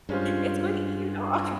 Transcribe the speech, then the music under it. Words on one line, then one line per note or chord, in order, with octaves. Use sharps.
It's going to eat your dog.
G2 G#3 C#4 F4 C5